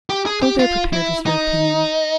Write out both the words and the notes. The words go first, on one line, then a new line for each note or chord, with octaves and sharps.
Go there prepared with your opinion.
G4
G#4
G4
F4
E4
D#4